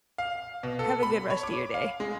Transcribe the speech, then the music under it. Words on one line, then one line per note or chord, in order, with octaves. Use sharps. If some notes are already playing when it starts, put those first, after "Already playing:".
Have a good rest of your day.
F5
B2
A4
B5
C#5
D6
F5
G#3